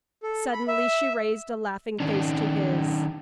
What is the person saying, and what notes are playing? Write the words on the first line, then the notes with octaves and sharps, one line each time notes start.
Suddenly she raised a laughing face to his.
A4
B5
E5
D#3 C#4 D4